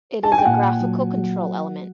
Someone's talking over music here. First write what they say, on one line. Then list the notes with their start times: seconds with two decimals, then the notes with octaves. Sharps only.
It is a graphical control element.
0.23 A5
0.32 G#5
0.38 G5
0.45 A#2 F#5
0.80 F#3
1.15 F#3